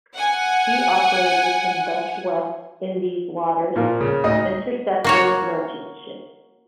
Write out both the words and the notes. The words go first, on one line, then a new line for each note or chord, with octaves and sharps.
She operated in Dutch West Indies waters, intercepting merchant ships.
F#5 G#5
A#2 F3 A#4
C#3
D2 D#4 D#5 D#6
A#3 F#4 C#5